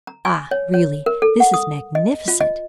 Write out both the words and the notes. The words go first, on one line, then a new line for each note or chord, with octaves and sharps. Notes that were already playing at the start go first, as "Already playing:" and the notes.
Ah, really this is magnificent!
A#5
G#5
C#5
C#5
A#4
A4
F#5
D#6
D#5
F4
D#5